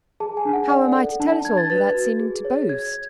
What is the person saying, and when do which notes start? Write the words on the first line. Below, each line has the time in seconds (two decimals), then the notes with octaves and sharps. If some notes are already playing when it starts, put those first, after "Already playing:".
How am I to tell it all without seeming to boast.
0.20 G#4 A5
0.37 G#5
0.45 D4
0.53 F#5
0.70 D5 F#5
0.95 A4
1.20 D4 A5
1.32 A5
1.45 D4 G#6
1.57 A6
1.70 B4 A6
1.94 F#4
2.19 G#4
2.45 C#5
2.69 C#5 G#6